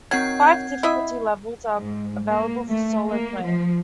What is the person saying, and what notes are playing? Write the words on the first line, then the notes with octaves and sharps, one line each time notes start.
Five difficulty levels are available for solo play.
D#3 F#3 C4 F#5 G#6
E4 D#5 E5
G#2
A#3
A3
A#3
F3